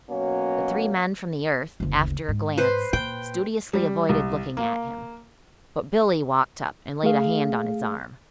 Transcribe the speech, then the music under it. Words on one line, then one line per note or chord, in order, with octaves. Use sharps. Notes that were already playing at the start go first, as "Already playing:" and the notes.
The three men from the earth, after a glance, studiously avoided looking at him; but Billie walked up and laid a hand on his arm.
B2 F#3 A#3 C#4
F#1 D2
G#2
B4 C5
A#2 G5
G3
C2
A#3
A3 G#4 F5